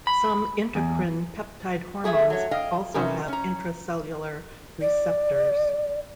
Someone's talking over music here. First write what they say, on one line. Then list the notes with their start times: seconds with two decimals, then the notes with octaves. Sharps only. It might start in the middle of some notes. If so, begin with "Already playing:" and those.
Some intracrine peptide hormones also have intracellular receptors.
0.07 B5
0.75 E2
2.04 A3 G#4 D5 E5
2.30 F#3 C#5
2.51 D#5 F5 G5
2.94 C3 E3 C#4 D#4 A#4
3.28 C#4 A#5
4.81 D5